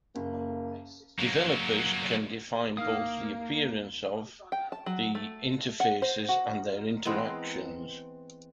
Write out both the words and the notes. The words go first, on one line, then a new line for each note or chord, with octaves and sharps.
Developers can define both the appearance of the interfaces and their interactions.
F#1 A#3
F#3 A#3
E2 A#3 D#4 F5 D#6 F6
G5
A5
F#3
A3
F#5
C5
F#4
E3 G#3 B3 C4